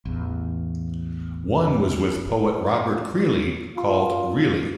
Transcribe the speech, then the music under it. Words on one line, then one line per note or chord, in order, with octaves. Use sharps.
One was with poet Robert Creeley called "Really!".
A1 E2
F4